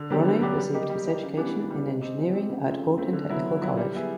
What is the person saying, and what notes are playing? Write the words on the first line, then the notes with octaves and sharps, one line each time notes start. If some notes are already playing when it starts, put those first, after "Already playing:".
Ronne received his education in engineering at Horten Technical College.
Already playing: D3
F#3 B3 D4 G4
D3
F#3 B3 D4 G4
G3
A#3 D#4 G4
G3
A#3 D#4 G4
C#3
E3 G3 B3 D4
C#3
E3 G3 B3 D4
G#3
C4 D#4 G4
G#3
C4 D#4 G4
C#3
F3 A3 C4
C#3
F3 A3 C4
D3
F#3 B3 E4
D3
F#3 B3 E4
G3
B3 E4 G#4